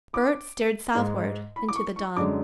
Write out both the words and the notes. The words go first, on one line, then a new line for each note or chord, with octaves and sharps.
Bert stared southward into the dawn.
D6
G#2 G#3
B5
D6
C#6
C#6
F#2 D3 G#3 D6